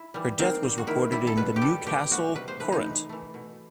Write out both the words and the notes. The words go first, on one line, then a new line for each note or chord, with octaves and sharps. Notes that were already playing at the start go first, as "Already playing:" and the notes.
Her death was reported in the "Newcastle Courant".
Already playing: E4
E3 G3
D#3 C4
G3
F#4
D#3 E4
G3 E4
A4
B2 B4
G4
G3 A4
B2 G4
G3 F#4
C3 B4
C5
E3 A3 B4
D#4
C3
E3 A3
B2